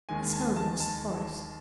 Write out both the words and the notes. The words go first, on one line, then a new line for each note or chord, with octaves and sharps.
His home was the forest.
D#2 D#3 G#3 G#5
A5
A5
A5